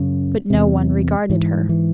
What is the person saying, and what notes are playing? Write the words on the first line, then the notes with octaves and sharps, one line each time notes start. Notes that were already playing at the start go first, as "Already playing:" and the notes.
But no one regarded her.
Already playing: F#2 C#3
E2 C3
G#2 E3
E3